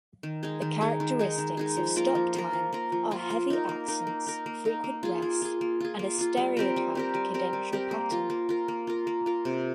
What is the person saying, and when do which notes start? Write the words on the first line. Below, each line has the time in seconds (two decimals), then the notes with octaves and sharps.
The characteristics of stop-time are heavy accents, frequent rests, and a stereotyped cadential pattern.
0.23 D#3
0.43 G#3 D#4 G#4
0.62 D#3
0.81 G#3 D#4 G#4
1.00 D#3
1.19 G#3 D#4 G#4
1.38 D#3
1.57 G#3 D#4 G#4
1.77 F3
1.96 A#3 F4 A#4
2.15 F3
2.35 A#3 F4 A#4
2.53 F3
2.73 A#3 F4 A#4
2.92 F3
3.11 A#3 F4 A#4
3.30 A#3
3.50 D#4 A#4
3.69 A#3
3.88 D#4 A#4
4.07 A#3
4.27 D#4 A#4
4.46 A#3
4.65 D#4 A#4
4.84 A#3
5.03 F4 G#4
5.22 A#3
5.42 F4 G#4
5.61 A#3
5.80 F4 G#4
5.99 A#3
6.18 F4 G#4
6.37 G3
6.57 C4 G4 A#4
6.76 G3
6.95 C4 G4 A#4
7.15 G3
7.34 C4 G4 A#4
7.53 G3
7.72 C4 G4 A#4
7.91 A#3
8.11 F4 A#4
8.30 A#3
8.49 F4 A#4
8.68 A#3
8.87 F4 A#4
9.07 A#3
9.26 F4 A#4
9.45 C3